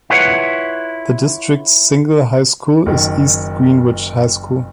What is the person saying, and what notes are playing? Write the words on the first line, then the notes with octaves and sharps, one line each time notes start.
The district's single high school is East Greenwich High School.
E4 F4 B4 C#5 F#5
F#1 D#3